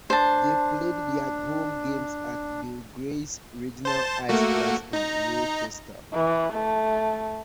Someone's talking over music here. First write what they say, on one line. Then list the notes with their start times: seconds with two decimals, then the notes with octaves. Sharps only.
They played their home games at Bill Gray's Regional Iceplex in Rochester.
0.10 D4 C5 A5
3.85 C5 A5
4.29 A3 A#3 F#4
4.93 D#4 A#5
6.14 E3
6.53 A3